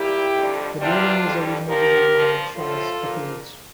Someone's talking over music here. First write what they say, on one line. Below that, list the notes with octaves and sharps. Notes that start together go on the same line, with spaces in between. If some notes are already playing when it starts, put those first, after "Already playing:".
The building was originally designed by Charles Buckeridge.
Already playing: A#2 G3 E4 G4
F2 D3 G3
E2 C3 E3 G3 D4 F4
F2 D3 G3
A#2 F3 G4 A#4
G2 F3
A2 F3 F4 A4
A#2 F3